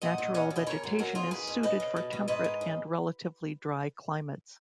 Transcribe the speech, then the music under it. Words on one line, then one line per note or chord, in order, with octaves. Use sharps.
Natural vegetation is suited for temperate and relatively dry climates.
A#2 D#5 F#5
A#2
C#4 D#5 F#5
B2
B4 D#5
C#3 A#4 C#5
F#2
F#3 F#4 A#4
F#2 F4 G#4
D#3 G#4 B4
F2
C#3 B4 D#5
C#3
B2
B2
G#2 B4 D#5
G#2
C#3